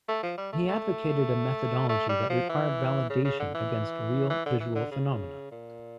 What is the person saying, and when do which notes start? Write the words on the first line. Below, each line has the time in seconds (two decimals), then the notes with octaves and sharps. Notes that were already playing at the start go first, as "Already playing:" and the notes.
He advocated a methodology that required validation against real visual phenomena.
0.08 A3
0.23 F3
0.37 G3
0.53 A3
0.68 A3
1.89 A3
2.09 G3
2.30 F3
2.49 E3
3.10 C#3
3.25 C#3
3.39 D3
3.55 E3
4.30 E3
4.46 D3
4.60 E3
4.75 D3
4.91 C#3
5.51 A#2